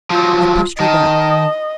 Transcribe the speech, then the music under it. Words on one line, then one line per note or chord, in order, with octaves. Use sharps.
I pushed her back.
F3 F#3 F4
D#3 D#5 A5